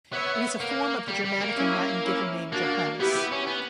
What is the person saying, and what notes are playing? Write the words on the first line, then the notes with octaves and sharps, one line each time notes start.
It is a form of the Germanic and Latin given name Johannes.
B3 C#5 E5
A#3
G3
G3
A#3
C#4 E4
C#4 E4
A#3 D4 F#4
B3 E4 G4
B3
C#4
B3